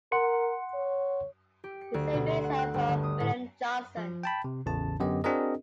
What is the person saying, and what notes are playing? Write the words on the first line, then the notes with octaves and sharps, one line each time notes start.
The same may said of William Johnson.
A#4 F#5 C6 C#7
C#5
G4
C#7
D2
B2
C6
F#5
F#6
G1
D3
D#6
A2
F3
G5 A5 B5
C3
A1 E2 C#3 A5
F#2 D3 B3 G4 D#5
C4 D4 F#4 G#4 A#4 D#5